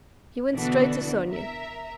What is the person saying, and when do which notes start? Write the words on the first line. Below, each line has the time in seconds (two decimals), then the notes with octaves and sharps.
He went straight to Sonia.
0.53 B2 D3 E3 B3 D4 F#4
1.29 A#4 E5 A#5